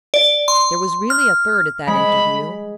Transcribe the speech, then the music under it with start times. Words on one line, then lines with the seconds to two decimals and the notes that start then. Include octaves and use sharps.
There was really a third at that interview.
0.14 D5
0.48 C6
1.10 F6
1.87 G#3 B5